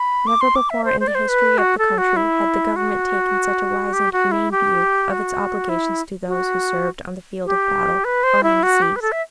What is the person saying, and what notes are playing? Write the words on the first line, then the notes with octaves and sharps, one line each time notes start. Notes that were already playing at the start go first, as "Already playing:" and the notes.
Never before in the history of the country had the government taken such a wise and humane view of its obligations to those who served on the field of battle or on the seas.
Already playing: B5
D6
C6
D6
E5
C5
C5
D5
C5
B4
F#4
A4
F#4
E4
F#4
G4
F#4
E4
G4
F#4
E4
F#4
G4
B4
C5
E4
F#4
G4
B4
A4
E5